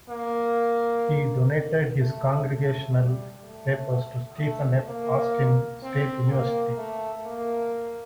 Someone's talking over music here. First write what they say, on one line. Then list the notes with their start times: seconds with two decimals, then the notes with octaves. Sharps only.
He donated his congressional papers to Stephen F. Austin State University.
0.09 A#3
2.00 A3
2.48 A3
2.95 G3
3.43 A3
4.39 A3
4.87 A#3
5.83 C4
6.30 A#3
6.78 A3
7.26 A#3